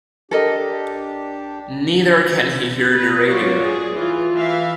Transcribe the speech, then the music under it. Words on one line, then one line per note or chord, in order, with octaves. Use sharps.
Neither can he hear the radio.
D4 G4 A4 A#4 D#5
B4
F#3 F4 F#4 C#5 D5
G#4
E3 F4
E3 E5 F5